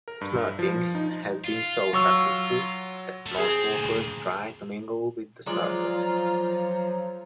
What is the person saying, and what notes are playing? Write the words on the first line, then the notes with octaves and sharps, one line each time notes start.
Smirting has been so successful that non-smokers try to mingle with the smirters.
A#4
G2
F3
D#4
F4
F#3 C#6 E6
A3 D4
C4 G#4
D2 A#2
F3 F#3 G#3 F4 D5 A#5